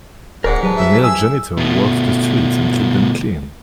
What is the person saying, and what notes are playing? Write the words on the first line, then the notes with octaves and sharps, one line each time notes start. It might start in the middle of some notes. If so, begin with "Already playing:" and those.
A male janitor walks the streets and keeps them clean.
D1 G#2 A#4 D5 F#5
F#3 G4 B4 A5
E5
G#4 E6
B2 A3